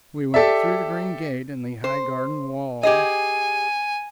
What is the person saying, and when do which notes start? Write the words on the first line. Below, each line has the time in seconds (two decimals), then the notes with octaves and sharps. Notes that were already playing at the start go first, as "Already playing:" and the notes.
We went through the green gate in the high garden wall.
0.34 G4 A4 D5 E5
1.84 C5
2.83 G4 G#4 D#5 G#5